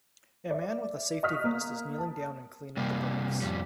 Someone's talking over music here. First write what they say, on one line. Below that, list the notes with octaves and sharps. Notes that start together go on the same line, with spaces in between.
A man with a safety vest is kneeling down and cleaning the bricks.
D5 E5
D#5 C#6 D#6 F6 F#6 B6
A#3
A5
C3 G3 A#3
F2 G3